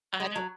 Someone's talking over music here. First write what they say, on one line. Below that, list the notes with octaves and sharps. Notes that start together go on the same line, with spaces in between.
I don't
G#3
F#3